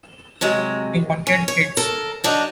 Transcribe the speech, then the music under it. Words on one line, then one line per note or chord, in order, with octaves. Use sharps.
They wanted hits.
C3 F#3 G#3
C#4
C#5
A4 A#4
F#3 D4 D#4